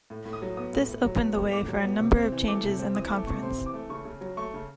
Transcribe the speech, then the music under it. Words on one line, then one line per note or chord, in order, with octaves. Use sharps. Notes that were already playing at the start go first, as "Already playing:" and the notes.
This opened the way for a number of changes in the conference.
A2
A2
D#6
F#3
B3 D#6
A2
A2
F#3
B3
A2
A2 D6
F#3
B3
C3
C4
E3
A3 D6
C3
C4
E3 D#6
A3 D6
C3 C#6
C4 C6
E3
D6
A3
C#3 C#6
C#3
F#3
A3 C#6
C#3